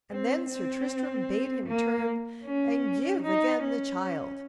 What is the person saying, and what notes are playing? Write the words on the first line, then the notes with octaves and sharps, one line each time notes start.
And then Sir Tristram bade him turn and give again the child.
C4
C4
A#3
C#4
D#4
C#4